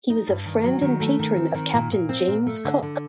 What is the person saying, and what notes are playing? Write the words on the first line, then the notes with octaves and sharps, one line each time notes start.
He was a friend and patron of Captain James Cook.
D#4
G2
D#3
F#3
D#3
A3
D#3
C4
D#3
A#2
A#2
C4
A#2
A3
D3
D3